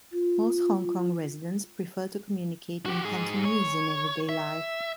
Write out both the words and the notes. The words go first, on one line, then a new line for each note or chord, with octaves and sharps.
Most Hong Kong residents prefer to communicate in Cantonese in everyday life.
F4
F#4 G4
G#2 G#4
C#5
E5